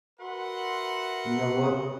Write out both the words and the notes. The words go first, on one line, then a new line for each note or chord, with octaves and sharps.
"You know what?
F#4 A#4 B4 E5 F#5 C6